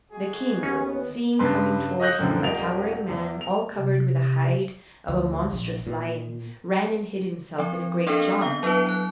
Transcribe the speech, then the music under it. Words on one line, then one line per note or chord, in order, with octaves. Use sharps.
The king, seeing coming toward him a towering man all covered with the hide of a monstrous lion, ran and hid himself in a great jar.
G#3 F#4 G#4
D#2 B3 C#4
G2 C#3 B4 C6
D#5 F5 D#6 F#6 G6 A#6
F#2 A#2 D3 F3 A3 C4
D#1 A#4 D#5 F7
E2
F7
C3
D2
A#1
A#2
F3 C4
A#3 C4 D4 A4 A#4
B3 F5
F#3 B3 D4 E4 B4
F#3 F#6